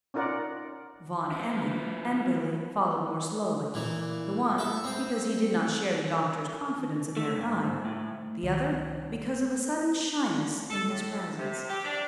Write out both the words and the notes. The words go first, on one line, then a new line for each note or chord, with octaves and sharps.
Van Emmon and Billie followed more slowly; the one, because he did not share the doctor's confidence in their guide; the other, because of a sudden shyness in his presence.
C#4 D#4 F4 A#4 D5 F#5
F3 E4
A#2 E3
A4 E5
C4 C5
A3
G2
G#2
A2
C2 D#3 G3
A4
A2
C3
G4
D4